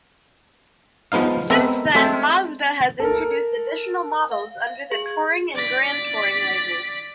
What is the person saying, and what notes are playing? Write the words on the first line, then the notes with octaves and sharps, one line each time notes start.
Since then Mazda has introduced additional models under the Touring and Grand Touring labels.
F3 G#3 B3 D#4 F5
G#3 B3 C4 A4 A#4 E5
G#3 A3 C4 A4 C5
A4 A#4
F5
F5
G#4
G#6
D5 B6